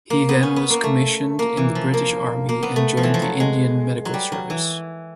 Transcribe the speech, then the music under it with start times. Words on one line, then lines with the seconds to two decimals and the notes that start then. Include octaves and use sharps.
He then was commissioned in the British Army and joined the Indian Medical Service.
0.10 A#3
0.29 B3
0.43 C#4
0.56 B3
0.70 A#3
0.84 A3
1.39 A#3
1.57 E3
1.75 F3
1.94 A#3
2.49 A#3
2.62 B3
2.76 A3
2.97 F3
3.03 E3
3.14 F3
3.22 F#3
3.40 G#3
4.05 F#3
4.14 G3
4.32 F#3
4.50 E3